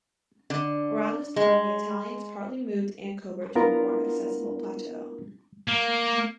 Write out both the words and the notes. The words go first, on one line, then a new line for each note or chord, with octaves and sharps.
Around this time the Italians partly moved Ankober to a more accessible plateau.
D3
G#3
B3 D4 E4 F4 A#4
A#3